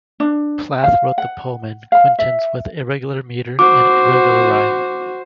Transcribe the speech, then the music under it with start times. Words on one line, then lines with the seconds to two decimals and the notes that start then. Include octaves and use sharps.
Plath wrote the poem in quintains with irregular meter and irregular rhyme.
0.20 D4
0.83 F5
1.18 F#5
1.92 F5
2.19 E5
3.59 F#4 C5 D6